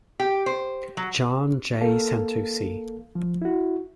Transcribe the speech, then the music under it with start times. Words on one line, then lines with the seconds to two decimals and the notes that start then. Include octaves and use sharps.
John J. Santucci.
0.20 G4
0.46 C5
0.97 F#3
1.81 A#3 A4 A#4 F5 A5
3.15 F3
3.42 E4 F#4